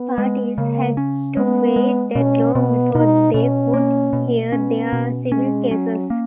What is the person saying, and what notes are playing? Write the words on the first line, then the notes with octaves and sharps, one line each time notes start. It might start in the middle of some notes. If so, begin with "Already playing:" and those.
Parties had to wait that long before they could hear their civil cases.
Already playing: B3
G#3
C#3 A#3
C#4
G#3 B3
G#3
B2 C#4
B2 B3
B2 D#4
B2 C#4
A#3
B2
B3 C#4
B2
G#3 C#4
F#3 C#4
A#3